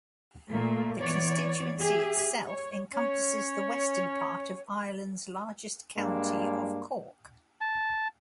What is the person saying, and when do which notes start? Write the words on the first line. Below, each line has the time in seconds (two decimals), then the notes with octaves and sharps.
The constituency itself encompasses the western part of Ireland's largest county of Cork.
0.50 A#2 A3 A#3
0.99 E3 B3 C#5 D5
1.79 G4 G#4 E5
2.47 C#5
2.93 C#4 C#5
5.96 G2 G#3 A#3 D4
7.61 A5